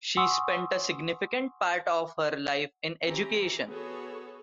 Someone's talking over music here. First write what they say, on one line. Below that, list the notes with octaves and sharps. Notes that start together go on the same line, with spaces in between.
She spent a significant part of her life in education.
F#5 G#5 C6 C#6 D#6 E6
E3 C4 C#4 E4 G4 A#5
B3 F#4 G#4 A4 C#5